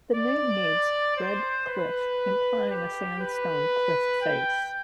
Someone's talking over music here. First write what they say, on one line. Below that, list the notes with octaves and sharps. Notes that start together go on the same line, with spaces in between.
The name means 'red cliff', implying a sandstone cliff-face.
D5
C5
B4
G4
B4
G5